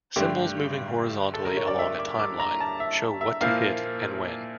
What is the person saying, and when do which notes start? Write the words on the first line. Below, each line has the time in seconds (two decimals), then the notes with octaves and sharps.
Symbols moving horizontally along a timeline show what to hit and when.
0.16 G2 D3 A3 G4
1.34 A4
1.45 A#4
1.57 C#5
1.68 D5
1.79 E5
1.99 D6
2.19 D6
2.40 A#5
2.60 A5
2.80 E5
3.21 E5
3.41 A#2 F3 A#3 E4 F5